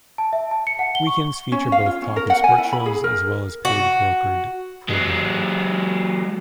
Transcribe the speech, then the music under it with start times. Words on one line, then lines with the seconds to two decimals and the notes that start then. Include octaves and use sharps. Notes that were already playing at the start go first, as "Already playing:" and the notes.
Weekends feature both talk and sports shows, as well as paid brokered programming.
0.18 A5
0.33 E5
0.51 A5
0.67 C#7
0.79 F#5
0.95 G7
1.07 C#6
1.52 C#4
1.72 F5
1.86 F4
2.02 C#4
2.16 A#4
2.30 F#5
2.44 G#5
2.58 E4
2.73 B5
2.86 G#4
3.04 A#4
3.65 F#4
4.89 F#3 G#3